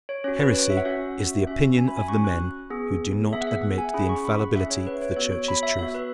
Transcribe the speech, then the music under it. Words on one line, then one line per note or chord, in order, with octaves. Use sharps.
Heresy is the opinion of the men who do not admit the infallibility of the Church's truth.
C#5
C#4 F#4 C#5
B4
C#5
E5
F#5
C#4 F#4 E5
C#4 F#4 E5
G#5
B5
G#5
C#4 F#4 C#6
F#6
B3 G#4
B3 G#4 E5
F#5
E5
F#5
G#5
C#4 E4 G#4 B5
C#6
B5
F#5
C#4 E4 G#4 E5
C#5
B4
C#5
B3 F#4 C#5
C#5
B5
E5
B3 F#4 E5
B4